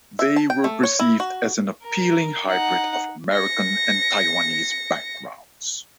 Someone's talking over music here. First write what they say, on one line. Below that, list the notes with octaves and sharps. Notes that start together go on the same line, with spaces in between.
They were perceived as an appealing hybrid of American and Taiwanese backgrounds.
E5
A5
G5
A3
C#5
E4
F#4
A#4
D#4 F#5
A#6 C#7